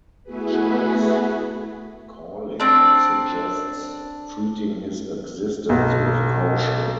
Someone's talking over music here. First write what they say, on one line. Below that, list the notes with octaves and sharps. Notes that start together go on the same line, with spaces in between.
Charles Cawley suggests treating his existence with caution.
A3 B3 E4 F#4 G#4 B4
C4 D4
B1